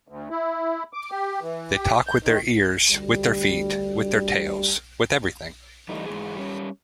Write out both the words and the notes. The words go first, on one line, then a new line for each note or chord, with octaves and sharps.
They talk with their ears, with their feet, with their tails — with everything.
D2
E4
D6
G4
E3
G4
G6
D#3
D2 G3
E3 G3 A3 D#4
G#2 B2 E3 G#4
G3 C#4